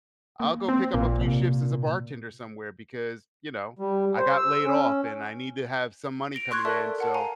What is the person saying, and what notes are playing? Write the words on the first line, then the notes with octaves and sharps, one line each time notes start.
I'll go pick up a few shifts as a bartender somewhere because, you know, I got laid off and I need to have some money coming in, so
A#3
C4
A#1 A#2
C3
G3
C5
E6
C#4
A#6 D7 F7
C6 C#6 F#6 G#6
A4 A#4 D5 E5 A5
A#4 F#5 A5
F5 G#5 A#5